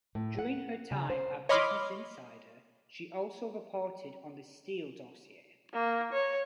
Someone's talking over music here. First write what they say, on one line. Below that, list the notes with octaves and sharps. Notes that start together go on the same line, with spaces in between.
During her time at "Business Insider" she also reported on the Steele dossier.
A2
F#5
C#3
C5
C#5 D#5 B5 C6 D6 F6
A#3
C#5